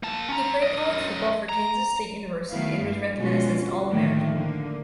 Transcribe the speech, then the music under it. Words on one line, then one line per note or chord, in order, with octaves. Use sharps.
He played college football for Kansas State University and was recognized as an All-American.
A#3 A5
C#4 A#5
F#2 D#5
A#5
D#3 A3 B3 E4 F5
G2
B2 D3 G#3 C#4 F4 F#4
A2 D3 D#3 F3 A3 A#3
D3 A#3